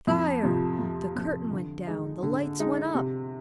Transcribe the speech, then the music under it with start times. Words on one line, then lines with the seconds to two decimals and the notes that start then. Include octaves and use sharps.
Fire!' The curtain went down--the lights went up.
0.07 F2
0.43 C3 F3
0.79 F2
1.15 C3 F3
1.51 D3
1.87 G#3 D#4
2.23 D3
2.59 G#3 D#4
2.95 C3